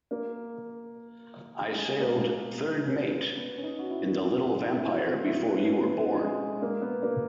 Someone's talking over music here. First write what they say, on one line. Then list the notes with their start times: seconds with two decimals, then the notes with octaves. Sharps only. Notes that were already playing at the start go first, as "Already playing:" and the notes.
I sailed third mate in the little Vampire before you were born.
0.11 A#3
1.73 G#3
2.00 A#3
2.08 B3
2.15 A#3
2.27 B3
2.54 B3
2.86 C#4
2.96 B3
3.36 B3
3.58 C#4
3.63 D#4
3.79 F#4
3.91 E4
4.17 F#4
4.38 F#4
4.58 E4
4.78 E4
4.99 F#4
5.26 E4
5.47 B3
5.54 C#4
5.80 B3
6.21 G#3
6.62 A#3
6.82 B3
7.03 A#3